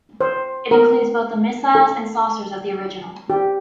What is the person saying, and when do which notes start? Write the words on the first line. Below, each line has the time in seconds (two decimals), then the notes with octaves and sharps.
It includes both the missiles and saucers of the original.
0.21 C5
0.71 A#4
1.75 A4
3.30 G4